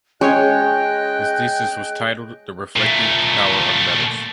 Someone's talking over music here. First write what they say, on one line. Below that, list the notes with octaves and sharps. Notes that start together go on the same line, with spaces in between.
His thesis was titled "The Reflecting Power of Metals".
G#3 C#4 G#4 C#5 D#5 G5 F#6
A#2 A3